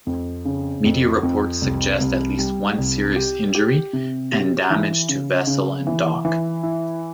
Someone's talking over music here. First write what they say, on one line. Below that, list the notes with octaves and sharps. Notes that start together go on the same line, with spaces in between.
Media reports suggest at least one serious injury, and damage to vessel and dock.
F2
C#3
F2
F2
C2
C2
G3
C2
G4
G4
C3
G4
E3
C#3
C#3
E3
E3
E4